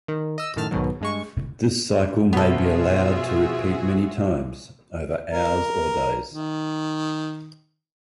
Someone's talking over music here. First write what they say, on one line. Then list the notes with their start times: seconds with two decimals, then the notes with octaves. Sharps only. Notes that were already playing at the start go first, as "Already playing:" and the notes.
This cycle may be allowed to repeat many times, over hours or days.
0.08 D#3
0.38 D#5 E6
0.56 F#2 A2 D#3 A5 F6
0.71 B1 G#2 B2 D#3 F#3
1.01 G2 G#3 C#6
2.33 B2 F3 B3 F4 F#4 G#4 A4 E5
5.31 A#4
6.32 D#3